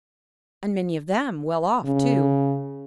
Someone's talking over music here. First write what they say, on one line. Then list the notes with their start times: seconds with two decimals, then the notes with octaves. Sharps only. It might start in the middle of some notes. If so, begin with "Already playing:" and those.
And many of them well off, too.
1.85 C#3